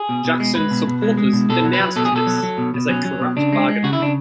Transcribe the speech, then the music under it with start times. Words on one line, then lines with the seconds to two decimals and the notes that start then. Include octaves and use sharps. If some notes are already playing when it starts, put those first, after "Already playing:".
Jackson's supporters denounced this as a corrupt bargain.
Already playing: G#4
0.09 B2
0.25 B2
0.40 G#3
0.55 G#3 B4
0.71 B2
0.87 B2
1.02 G#3
1.17 G#3
1.33 B2
1.49 B2 A4
1.65 F#3
1.73 B4
1.80 F#3
1.96 B2 A4
2.05 G#4
2.12 B2 A4
2.27 F#3
2.43 F#3
2.58 B2
2.74 B2
2.89 F#3 C#4
3.05 F#3
3.20 B2
3.37 C#3 D4
3.53 G#3
3.68 G#3
3.84 C#3 F#4
3.93 E4
3.99 C#3 D4